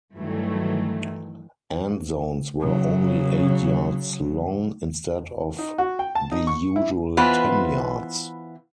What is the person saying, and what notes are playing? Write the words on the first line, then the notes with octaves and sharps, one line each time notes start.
End zones were only eight yards long instead of the usual ten yards.
G2 D#3 E3 F#3 A3
C#3 F#3
D#4
F#4
G5
A5
D#4
C#6
E4
E3 B3 F4 B4 C5